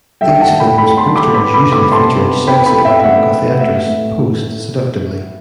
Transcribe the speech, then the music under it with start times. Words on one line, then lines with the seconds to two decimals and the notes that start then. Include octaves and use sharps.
These film's posters usually featured sexy artwork of the actress, posed seductively.
0.21 G3 E5 G5
0.35 G5
0.40 F#5 A5
0.49 A2
0.60 G5 B5
0.78 A2 G5 B5
0.97 A5 C6
1.06 G3
1.16 B5 D6
1.34 B3 B5 D6
1.54 B5 D6
1.62 B3
1.72 B5 D6
1.91 C3 A5 C6
2.19 B3
2.47 B3 G5 B5
2.66 G5 B5
2.76 E3
2.85 E5 G5
2.99 E5
3.04 A2 F#5
3.32 B3
3.60 A3 E5
3.89 A2
4.18 A2
4.46 A2